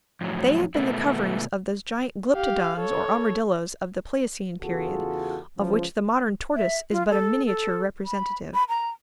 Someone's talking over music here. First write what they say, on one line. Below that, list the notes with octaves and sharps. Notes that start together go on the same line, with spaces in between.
They had been the coverings of those gigantic glyptodons or armadilloes of the pleiocene period, of which the modern tortoise is but a miniature representative.
F2 A2 F#3
B2 A3 B3 E4
G4 F5
A4 C#5
E2 C#3 F4 F#4 G#4 A4
C#2 C#3 E3 F3
E5
F4
A4
A4
B5
B5
A#5